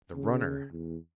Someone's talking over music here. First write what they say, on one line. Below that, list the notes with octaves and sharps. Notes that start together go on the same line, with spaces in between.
The Runner?...
C#3
E2